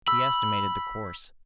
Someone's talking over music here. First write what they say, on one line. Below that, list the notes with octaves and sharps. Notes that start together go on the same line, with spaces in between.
He estimated the course.
B5 E6